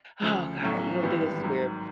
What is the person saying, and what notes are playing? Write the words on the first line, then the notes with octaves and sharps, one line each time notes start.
Oh god. You gonna think this is weird,
D2 C#3 F3
B1 A2 F#3 A3 C#4
G#1 G2 E3 G3 B3
G#2 D#3 F#3